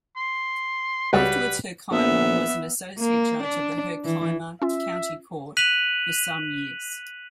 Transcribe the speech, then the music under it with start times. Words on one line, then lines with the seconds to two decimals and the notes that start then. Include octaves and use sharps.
Afterwards Herkimer was an associate judge of the Herkimer County Court for some years.
0.17 C6
1.13 C#2 G3 F#4 G4 B4
1.91 A#1 B3 E5
2.99 A#3
3.43 D4
4.04 E3
4.62 C#4 F4 E5
5.57 F#6 B6 D#7 F7 F#7